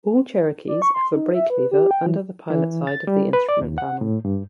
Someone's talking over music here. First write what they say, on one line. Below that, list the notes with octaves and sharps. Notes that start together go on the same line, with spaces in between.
All Cherokees have a brake lever under the pilot side of the instrument panel.
D5
C#6
C6
D#4
E5
B4
G4
G5
E3
E3
A6
G3
B4
D5
D#2
F#5
A2
G2